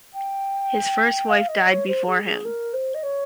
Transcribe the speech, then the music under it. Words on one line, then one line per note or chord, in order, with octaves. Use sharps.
His first wife died before him.
G5
F5
D#5
C#5
C5
G#4
G#4
A#4
C5
D#5
C#5